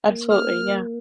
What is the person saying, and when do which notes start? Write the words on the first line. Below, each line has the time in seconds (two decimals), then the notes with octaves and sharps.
Absolutely, yeah.
0.09 A#3
0.30 F6